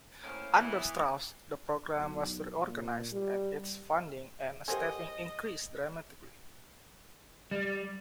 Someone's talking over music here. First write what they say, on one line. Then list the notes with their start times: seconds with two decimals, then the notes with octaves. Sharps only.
Under Strauss the program was reorganized, and its funding and staffing increased dramatically.
0.23 A2 A#3 C#4 A#4 C5
0.55 E3 B3
1.97 B1
2.65 A#2
3.12 G3
4.68 G4 A4 A#4 C5 D#5 F#5 G#5
7.51 G3